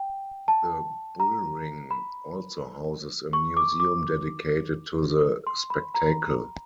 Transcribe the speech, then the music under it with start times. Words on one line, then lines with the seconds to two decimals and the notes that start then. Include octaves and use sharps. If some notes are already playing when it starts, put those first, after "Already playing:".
The bullring also houses a museum dedicated to the spectacle.
Already playing: G5
0.48 A5
1.20 A#5
1.91 B5
3.33 C#6
3.57 D6
3.80 D6
5.47 C6
5.70 B5
5.95 A#5